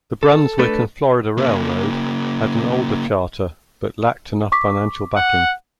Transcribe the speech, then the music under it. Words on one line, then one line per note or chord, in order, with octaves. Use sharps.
The Brunswick and Florida Railroad had an older charter, but lacked enough financial backing.
A4
A3 D4 A4 B4
C#3 A#3
C#6 D6 B6
F#5